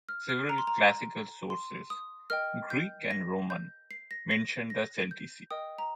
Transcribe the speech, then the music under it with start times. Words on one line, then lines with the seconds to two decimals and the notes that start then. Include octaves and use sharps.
Several classical sources, Greek and Roman, mentioned the Celtici.
0.09 F6
0.29 F6
0.49 A#5
0.58 C6
0.67 A#5
1.50 C6
1.90 D#6
2.30 A#4 D#5 G5 F6
2.70 G6
3.11 A#6
3.50 G6
3.91 C7
4.11 A#6
4.31 A#6
4.70 A#6
5.11 G6
5.51 A#4 D#5 G5 D#6
5.78 A#5